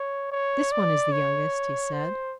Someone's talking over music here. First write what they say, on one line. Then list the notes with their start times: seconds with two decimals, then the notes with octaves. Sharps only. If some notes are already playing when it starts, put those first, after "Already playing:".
'This one is the youngest,' he said.
Already playing: C#5
0.32 C#5
0.72 D5
1.12 C#5
1.93 C5